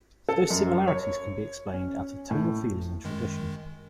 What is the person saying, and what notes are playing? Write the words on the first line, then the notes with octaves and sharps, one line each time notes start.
Those similarities can be explained out of tonal feeling and tradition.
A4
F#2
C#5
C#4
A2
F#2 D#3 G#3